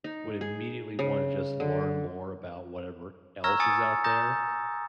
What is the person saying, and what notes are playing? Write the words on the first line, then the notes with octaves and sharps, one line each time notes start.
would immediately wanna just learn more about whatever else is out there.
D#4
G#4
C#3
D3
A#5 C#6 E6 F6 G#6 A#6
G#5 D#6 A6 C#7
A#5 D#6 G6 A6 A#6